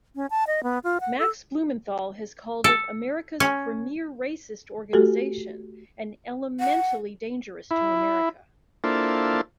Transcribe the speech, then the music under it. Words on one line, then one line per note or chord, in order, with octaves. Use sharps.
Max Blumenthal has called it America's premier racist organization and elementally dangerous to America.
C#4
A5
D#5
B3
F4
F#5
A4
A4
C#4
A3 F#4 G4 A4
F#5
E4
A#3 D4 E4 F4 A4 C5